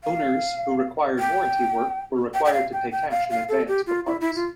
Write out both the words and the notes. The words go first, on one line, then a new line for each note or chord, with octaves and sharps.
Owners who required warranty work were required to pay cash in advance for parts.
F5
G5
G5
G5
F5
G5
G5
F5
F5
A4
G4
F4
E4
E4
F4